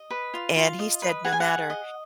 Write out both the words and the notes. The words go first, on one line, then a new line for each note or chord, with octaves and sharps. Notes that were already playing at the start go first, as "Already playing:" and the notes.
and he said, "No matter"
Already playing: D#5
B4
F4
F4
D#5
B4
G#4 F#5
G#5
F#5
G#4
D#5